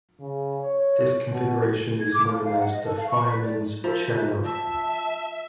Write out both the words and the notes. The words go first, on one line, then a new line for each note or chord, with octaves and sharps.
This configuration is known as the fireman's chair knot.
C#3
C#5
B2
G#6
D6
F4
F5
F#5
D#5
A4
F5
C#6
B4
D5
F3 F4 F#4 A#4 E5
E5 A5